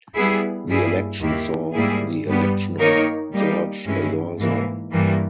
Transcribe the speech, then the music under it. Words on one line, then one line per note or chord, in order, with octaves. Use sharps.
The election saw the election of Jorge Elorza.
G3 B3 E4 G#4
G2 G3 A#3 E4 G#4
D#2 D#3 A#3 E4 G4
G#2 G3 A#3 E4 G#4
G2 G3 B3
D#3 A#3 D#4 A#4 C#5
G3 A#3 D#4 G4
G2 E3 G#3 C#4 E4
G#2 E3 A#3
G2 E3 G3 A#3